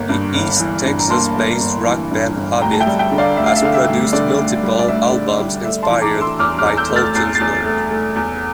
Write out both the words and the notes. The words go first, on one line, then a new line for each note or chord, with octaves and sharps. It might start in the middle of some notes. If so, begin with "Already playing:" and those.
The East Texas-based rock band Hobbit has produced multiple albums inspired by Tolkien's work.
Already playing: G1 A#3
G2
G1
E3
G2
A#5
A#3 A5 C6
A#3
G1
E3
G2
G1
D2 G5 A#5
A5
E5 G5
G3
E5 G5
D3
D5 F5
D2 E5
F5
E5
D3 F5
E5
D2
D3 D5
D2
G3
D5
D2 E5
D3
G3
A3 E5
A5 C6
E3
A#5 D6
A3
C6 E6
E2 D6 F6
D6 F6
E2
E6 G6
A3
F6 A6
E2 C7
A6 C7
E2
A3
A3
E2